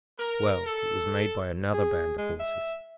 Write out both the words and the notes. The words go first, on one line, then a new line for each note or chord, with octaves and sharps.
"Well, it was made by another band of horses."
A#4
A4
G#4
G#3
E5